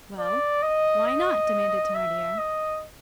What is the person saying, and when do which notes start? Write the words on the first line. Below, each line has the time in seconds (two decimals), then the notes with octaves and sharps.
"Well! why not?" demanded Thenardier.
0.19 D5
0.63 D#5
1.07 D#5
1.95 E5
2.38 D#5